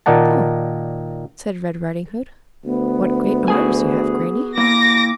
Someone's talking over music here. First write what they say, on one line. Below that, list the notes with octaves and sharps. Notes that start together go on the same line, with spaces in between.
"Oh!" said Red Riding-Hood, "what great arms you have, Grannie!"
A#2 D#3 D#4 D5 F#5 A5
D2 B3
F#4 G#4 G#5
A#3 E4 D6 A#6